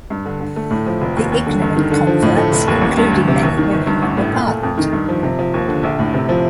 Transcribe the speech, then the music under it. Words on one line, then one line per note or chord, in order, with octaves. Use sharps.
The ignorant converts, including many women, were pardoned.
G2
D3
D3
A3
A2
F3
F1
D#2
D#2
D3
G2
D#3
D3
F3
A2
A3
F1
D#2
A1
G2
D2
C3
D#2
D#3
G1
G2
A1
A2
A#2
A3
F2
D#3
G2
F3
C3
F3
D#2
D3
A#1
A2
C3
F3